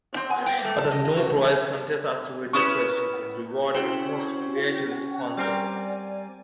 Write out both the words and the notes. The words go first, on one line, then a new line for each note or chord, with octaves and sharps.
Other No-Prize contests asked readers questions and rewarded the most creative responses.
C4
G#5
G5
A3
A5
D#5
D#5
F#4
C#4 E4 B4 C#6 D#6 E7
C4 C#4 E4 F#4 C5 C#5
G3 C4 A#4 D5 G#5